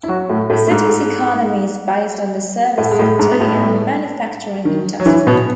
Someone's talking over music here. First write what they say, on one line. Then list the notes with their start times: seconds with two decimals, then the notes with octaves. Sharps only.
The city's economy is based on the service sector and manufacturing industry.
0.03 E4
0.08 F#3 F#4
0.30 A2 A3
0.50 A2 A3
0.67 A3
0.71 G#2 G#3
2.78 A2 A3
2.91 G#3
2.99 A2 A3
3.19 G#2 G#3
3.32 B3
3.41 A2 A3
4.65 D#3
5.00 F#3
5.06 E3
5.27 B2 B3